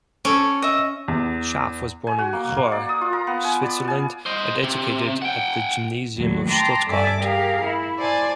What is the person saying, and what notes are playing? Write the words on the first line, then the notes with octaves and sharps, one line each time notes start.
Schaff was born in Chur, Switzerland, and educated at the gymnasium of Stuttgart.
C#4 A4 C#5 D6
D#5 E5
E2
G#5
F#4
A#3
A#3
D5
D#6
F4
A#5
B3
G#5
D5
G#5
C5 D#5
C3
F#5 G5
D#2 A2 D3 F#3
G5 A5 A#5 C6 D6
G2 A4 D5 E5 G#5 D6
G4 G#4 A#4 F5
E4
C5 D5 G#5 A5